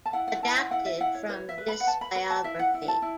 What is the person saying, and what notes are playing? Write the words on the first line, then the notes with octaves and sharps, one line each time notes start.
Adapted from this biography.
A5
E4 F#5
F#5
E4 A5
F#5
E4 F#5
E5
E4 F#5
C#5
B4 C#5
E5
B4
B5
F#5
B4 A5
B5
B4 B5
A5
E4 E5
F#5
E4
F#5
A5
E4